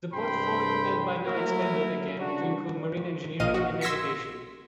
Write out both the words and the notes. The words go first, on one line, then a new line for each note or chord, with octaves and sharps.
The portfolio had by now expanded again to include marine engineering and navigation.
G2 C3 G#4 G5 B5 C6
F#3 A3 A#3 E4 A#4
C#3 G3 D4 F#4
A#1 D#5 F5 D#7
F#4
C6 E6 G#6 A#6 B6 C#7